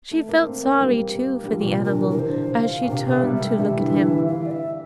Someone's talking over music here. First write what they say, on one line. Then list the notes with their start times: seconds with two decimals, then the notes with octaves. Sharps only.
She felt sorry, too, for the animal as she turned to look at him.
0.11 A3
0.29 A#3
0.46 C4
0.64 A#3
0.81 G3
1.15 A#3
1.44 G3
1.50 F3
1.61 A#2
1.67 C3
1.85 D3 A#4
2.02 E3
2.10 A#4
2.19 D3 C5
2.54 F5
2.83 A#2
2.89 C3 F5
3.06 C3
3.12 E5
3.23 G3
3.35 E5
3.41 A3
3.58 G3 E5
3.72 D3
3.75 E3
3.87 D3
3.93 E3
4.10 E3
4.28 E3 F5
4.46 D5
4.51 E5